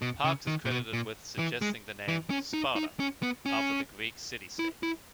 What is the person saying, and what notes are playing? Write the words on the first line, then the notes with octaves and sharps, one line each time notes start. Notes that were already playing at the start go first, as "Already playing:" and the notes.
Parks is credited with suggesting the name "Sparta", after the Greek city-state.
B2
C#3
D#3
A#2
B2
A#2
E3
G#3
E3
C#4
D#4
D#4
C#4
B3
C#4
E4
E4